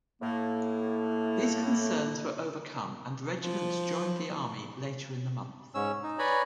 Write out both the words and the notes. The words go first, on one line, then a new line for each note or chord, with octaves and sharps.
These concerns were overcome and the regiment joined the army later in the month.
A2 A#3
F3
G#2 C#4 E6
D#4
B4 C#5 D5 G#5 A#5 B5